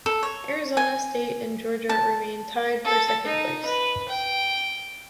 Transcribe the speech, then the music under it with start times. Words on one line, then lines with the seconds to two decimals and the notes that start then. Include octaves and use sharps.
Arizona State and Georgia remained tied for second place.
0.06 A4
0.23 C#5
0.77 G#5
1.89 A5
2.84 A4
3.25 D#4
3.65 B4
4.08 G5